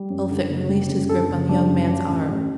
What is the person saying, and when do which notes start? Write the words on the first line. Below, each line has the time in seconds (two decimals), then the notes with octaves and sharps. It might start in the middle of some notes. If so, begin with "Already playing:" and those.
Elphick released his grip on the young man's arm.
Already playing: G3
0.10 F#2
0.30 D3
0.50 F#1
0.69 G3
0.89 F#2
1.09 D3 A4
1.29 F#1
1.49 G3 D4
1.69 F#2
1.89 F#3
2.09 A1
2.29 A1